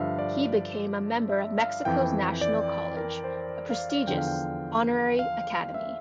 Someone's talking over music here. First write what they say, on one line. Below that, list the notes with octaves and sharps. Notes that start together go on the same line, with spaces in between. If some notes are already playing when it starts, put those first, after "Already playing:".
He became a member of Mexico's National College, a prestigious honorary academy.
Already playing: G2 D3 F3 E5 F5
D5
E5
F5
F2 E3 G5
D5
A#4
C5
F5
F5
E2 D3 F3 G5
F5
G5
F5
E5